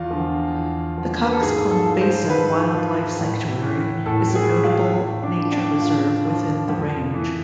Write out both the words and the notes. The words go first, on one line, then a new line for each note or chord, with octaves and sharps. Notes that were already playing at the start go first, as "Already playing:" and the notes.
The Cockscomb Basin Wildlife Sanctuary is a notable nature reserve within the range.
Already playing: E2 F4
D3 F3
E2
D3 F3
B4
A4
G#2 G#4
A4
F3
C5
G#2 B4
F3
A2
E3
A2 A4
G#4
E3
F4
A2
D4
F3
D4
A2 F4
F3
F2
E3